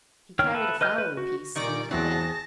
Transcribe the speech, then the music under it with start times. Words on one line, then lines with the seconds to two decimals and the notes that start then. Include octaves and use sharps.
He carried a fowling-piece slung at his back.
0.39 D#3 C#5 G5 F6
0.54 A4 B4 E5
0.81 B4 D#5 F6 G6
0.98 B4
1.17 F#4
1.56 A#2 D#3 G3 D5 C#6 A#6 D7
1.91 E2 E3 F#3 C4 G#4 A5 A#6